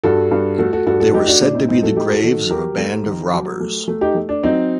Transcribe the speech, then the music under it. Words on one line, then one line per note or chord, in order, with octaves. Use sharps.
They were said to be the graves of a band of robbers.
G2 F#4 A4
G2
A3 F#4 A4
F#4 A4
G2 F#4 A4
F#4 A4
A3 D#4 G4
D4 F#4
A2 D4
C4 D#4
A2 C4 D#4
F#4 A4
A3 D#4 G4
F#4 A4
D#3 F#4 A4
F#3 G4 A#4
A3
D#3
F#3
A3
A3
D#4 G4
A3
D4
F#3 C4 D#4